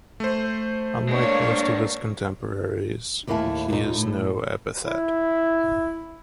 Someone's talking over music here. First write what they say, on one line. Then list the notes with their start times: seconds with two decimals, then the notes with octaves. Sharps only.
Unlike most of his contemporaries, he has no epithet.
0.20 A3 C5
1.09 G#3 A#3 D4 C#5
3.27 D#2 A2 A#3 E4 G#5 A5
3.68 D#2 A#2 D#4
3.95 A2
4.87 E4